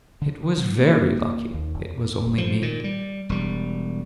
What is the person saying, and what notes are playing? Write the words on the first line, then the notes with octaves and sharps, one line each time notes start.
It was very lucky it was only me.'
D3
F#3
A#3
D#2
F1
F3
A#2 D#3
G3
E1 G3